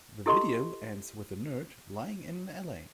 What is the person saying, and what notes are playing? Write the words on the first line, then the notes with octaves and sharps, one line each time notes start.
The video ends with the nerd lying in an alley.
E4 G4 A4 D#5 C6 C#6